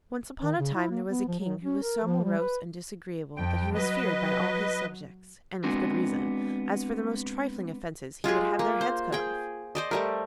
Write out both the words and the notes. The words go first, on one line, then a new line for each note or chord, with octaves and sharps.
ONCE upon a time there was a King who was so morose and disagreeable that he was feared by all his subjects, and with good reason, as for the most trifling offences he would have their heads cut off.
D#3
C#3
E4
A#3
B3
F3
F#3
C#4
A#4
F3
G3
B4
F2 G5
F#3 B4 D#5
G#3 B3 C4 D4 F#4
G#3 F4 G4 G#4
A#3
C5
G#4 G5
C5 D5 D#5
G3 A3 A#4